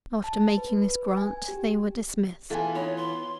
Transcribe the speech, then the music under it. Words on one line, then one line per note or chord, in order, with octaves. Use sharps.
After making this grant, they were dismissed.
A5
B4
G#5
G4
E3 B3 F4 A4 E5 G#5
D#4 C#5 B5
C6